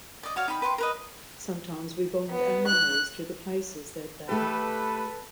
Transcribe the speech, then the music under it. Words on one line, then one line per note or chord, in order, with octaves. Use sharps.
Sometimes we bond our memories to the places that they happen.
D5 D#5
F#4 C#5 D5 F5
D#4 G5 B5
B4 G5 C6 C#6
A#4 B4 D#5
B3
F#6
A3 G4 A4 B4